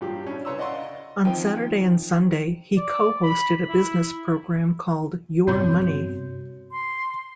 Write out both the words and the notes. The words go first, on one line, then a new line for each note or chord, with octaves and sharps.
On Saturday and Sunday he co-hosted a business program called "Your Money".
G2 F3 F#3 G4
C#4 D4 E4
C#3 B4 C#5 A#5 C6 E6
D5 D#5 F5 F#5 C6 C#6
D#3 F3 C4
D5
B5
E4
G2 C3 B3 F#4 C#5
C6